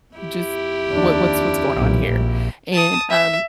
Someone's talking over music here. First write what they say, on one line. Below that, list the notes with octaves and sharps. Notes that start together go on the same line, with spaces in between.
just what what's what's going on here? And, um,
F2 E4 G4
D#2 D4
B1 A#2
A#1
A5 D#6
E5